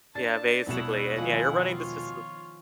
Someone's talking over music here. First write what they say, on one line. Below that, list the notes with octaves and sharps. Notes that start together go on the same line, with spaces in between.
Yeah, basically, and yeah, you're running this facil
D4 A5 A6
E1 B2 D4 E4 B4 E5 F#5 E7
D#3 F3 G#3
F4 C#5